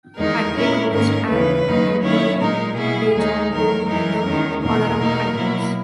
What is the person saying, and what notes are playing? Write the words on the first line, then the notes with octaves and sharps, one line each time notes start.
Patrick Roest and Antoinette de Jong won the allround titles.
E2 D#3 G#3 D#4 A#4
A#2 G#3 C#4 E4
G#2 D#3 A#3 C#4 A#4
D#2 C#3 E3 B4
F#2 D#3 A#3 D#4
D#3 F#3 A#3 C#4 E4 C#5
A#2 G#3 D#4 A#4
B2 A#3 E4 G#4
D#2 D#3 G#3 D#4
E2 D#3 F#3 A#4
F#2 E3 G#3 D#4 A#4
E2 D#3 G#3 C#4
E2 B2 A#3 A#4
B2 A#3 D#4
B2 F#3 A#3 E4